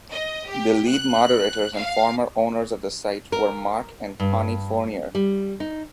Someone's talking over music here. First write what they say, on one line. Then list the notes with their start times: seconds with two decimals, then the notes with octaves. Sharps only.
The lead moderators and former owners of the site were Mark and Connie Fournier.
0.11 D#5
0.48 G4
0.88 F#6
1.75 F5
3.32 A#4
4.20 G2
5.15 G3
5.60 D#4